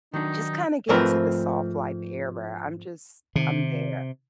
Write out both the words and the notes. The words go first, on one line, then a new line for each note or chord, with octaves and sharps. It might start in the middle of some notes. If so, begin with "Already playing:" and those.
just kind of get into the soft life era. I'm just, I'm there.
D#3 F#3 D4 D#4
G#2 F3 A3 C4 A#4 B4
C3 D#3